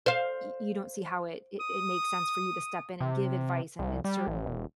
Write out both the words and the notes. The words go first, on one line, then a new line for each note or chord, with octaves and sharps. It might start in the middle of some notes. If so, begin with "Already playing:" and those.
y you don't see how it it it makes sense for you to step in and give advice in in certain
C5 F5
D#6
C3
C2
G3
A1
E1